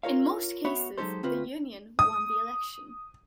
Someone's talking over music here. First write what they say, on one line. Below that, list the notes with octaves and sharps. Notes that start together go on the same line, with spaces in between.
In most cases, the union won the election.
F4 A#4 C#5 F5
B3 F#4 C#5 E5 F#5 B5
F#3 G#3 D#4 G4 A4 C5
D2 C4 F4 B4
D#6